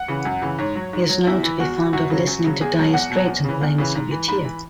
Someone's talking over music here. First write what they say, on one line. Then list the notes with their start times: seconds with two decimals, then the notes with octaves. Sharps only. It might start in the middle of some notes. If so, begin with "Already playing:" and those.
He is known to be fond of listening to Dire Straits and playing Subbuteo.
Already playing: F#5
0.08 C#3 E3
0.25 F#2
0.42 C#3 E3
0.58 G#2 C#5
0.75 F#3
0.93 G#2
1.09 F#3
1.27 E2 E4
1.43 E3
1.59 E2 F#4
1.76 E3
1.93 F#2 F#4
2.10 C#3 F#3
2.27 F#2
2.44 C#3 F#3
2.61 E2 G#4
2.78 B2 F#3
2.93 E2 F#5
3.10 B2 F#3
3.27 E2
3.44 C#3 E3
3.61 E2
3.78 C#3 E3
3.95 G#2
4.11 E3
4.28 G#2 B5
4.45 E3